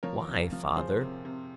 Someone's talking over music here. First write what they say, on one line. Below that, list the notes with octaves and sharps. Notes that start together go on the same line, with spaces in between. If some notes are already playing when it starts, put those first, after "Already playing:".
"Why, father?"
F3 A#4 C#5
C3
F3
F3 G#4 C5
C3
C3